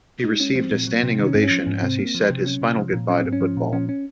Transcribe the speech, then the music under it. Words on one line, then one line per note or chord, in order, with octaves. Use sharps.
He received a standing ovation as he said his final goodbye to football.
G#3 D#4
G#3 C#4
F3 C4
A#2
F#3
C3
D#3 D#4
C#4
G#2 C4
C#4
F3
G#2
C3 C4
A#3
F3
C3
F#3 C#4
C3
F3
A#2
F#3 C#4
G#2 C4
C#4
F3
A#2
F3 C#4
C#4